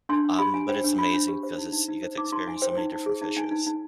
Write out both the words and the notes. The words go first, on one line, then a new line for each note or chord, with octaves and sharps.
um, but it's amazing 'cause it's you get to experience so many different fishes.
D4 C6
D4
G4 B5
D4 G#5
C5 G5
D4
D4 B5
D4
G4
C5
D#4
D#4
D#4
C5
D#4 D6
D#4 C6
D#4 G#5
C5 G5
D#4
D#4
G#4
D#4
D#4 G#5
D#4
D#4